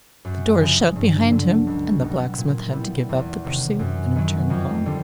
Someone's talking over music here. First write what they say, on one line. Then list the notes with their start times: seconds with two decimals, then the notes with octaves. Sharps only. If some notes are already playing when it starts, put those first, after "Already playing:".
The door shut behind him, and the blacksmith had to give up the pursuit and return home.
0.25 F#2
0.61 C#3 F3
0.96 G2
1.31 D3 F#3
1.67 C#2
2.00 B2 G3 B3 D#4
2.38 A#2
2.73 G3 B3 E4
3.09 E2
3.44 C3 D#3
3.79 F#2
4.15 D#3 F#3
4.50 F2
4.86 D3 G3